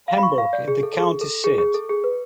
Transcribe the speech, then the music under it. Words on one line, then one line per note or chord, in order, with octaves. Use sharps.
Hamburg is the county seat.
F5
B5
C#6
F5
D5
G#4
A4
A4
G#4
A4
G#4
G#4
A4
G#4
B4